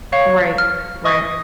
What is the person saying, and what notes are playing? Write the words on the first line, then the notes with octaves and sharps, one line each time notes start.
Right. Right.
C#5 F5
F6
D#5 C#6